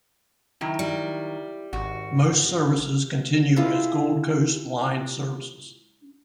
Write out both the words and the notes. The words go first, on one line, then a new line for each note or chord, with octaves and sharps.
Most services continue as Gold Coast line services.
D#3 F#3 E4
G3
G#1 F#4
G#3 E4 F4 F5